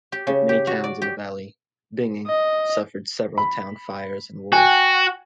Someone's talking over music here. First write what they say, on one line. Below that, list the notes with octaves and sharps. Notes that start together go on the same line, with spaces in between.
Like many towns in the valley, Bingen suffered several town fires and wars.
G4
C#3
G4
F#4
D5
G4
D#5
B5
F#4 G5 G#5